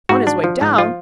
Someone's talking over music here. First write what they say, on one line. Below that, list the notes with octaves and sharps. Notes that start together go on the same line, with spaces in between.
On his way down!
G#2 F#4
D4
F3
G#2
F3 F4